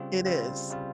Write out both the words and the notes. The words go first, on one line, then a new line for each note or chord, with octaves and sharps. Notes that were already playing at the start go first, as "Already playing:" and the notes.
It is.
Already playing: C#3 G3 C4 F4
C#3 G3 C4 F4
C#3 G3 C4 F4